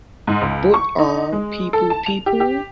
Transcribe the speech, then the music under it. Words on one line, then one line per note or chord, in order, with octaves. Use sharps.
Both Are People People?
G#2
C#2
C#6
D#4
G#3
A4
A5
F7
G4
G4